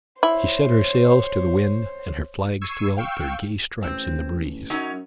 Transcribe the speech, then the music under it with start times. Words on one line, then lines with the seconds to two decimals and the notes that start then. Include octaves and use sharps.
She set her sails to the wind, and her flags threw out their gay stripes in the breeze.
0.23 E4 C5 C#5
2.61 C#6 E6 G#6 C7 D#7
2.97 F5 G5 C#6 E6
3.82 A1 C4
4.70 F#2 F#3 C#4 D#4